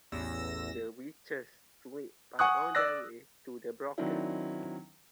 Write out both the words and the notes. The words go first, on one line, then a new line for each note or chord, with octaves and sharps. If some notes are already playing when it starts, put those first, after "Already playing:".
The witches sweep by on their way to the Brocken.
A1 E2 E6 A#6
F#5 G#5 C#6 D#6 F#6
D5 E6 F#6 A#6
D#3 F#3 C4 D4 E4